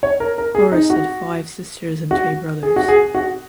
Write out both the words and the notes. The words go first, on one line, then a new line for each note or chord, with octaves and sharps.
Horace had five sisters and three brothers.
C#5
A#4
A#4
G#4
D#4
F#4
F#4
G#4
F#4
G#4
F#4